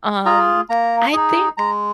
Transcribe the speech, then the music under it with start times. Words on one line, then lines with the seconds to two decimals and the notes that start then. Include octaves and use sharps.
um, I think
0.25 F4 G#4 A#5
0.69 A#3 A#5
1.13 D#4 G#4
1.57 G#3 A#5